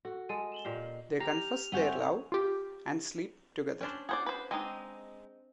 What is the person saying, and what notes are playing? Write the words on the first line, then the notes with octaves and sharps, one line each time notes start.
They confess their love and sleep together.
F#4 A4
G#3 A4 D#7
E7 F#7 G7
A#2 G4 D#5 F5
G4 A#5 F6
G2 C4 C#4 D#5 E5 F#5 G6
F4 G4
C#4 D4 C5
G#4 C5 D5 F#5
B4 C5
G#3 C4 D4 D#4 D#5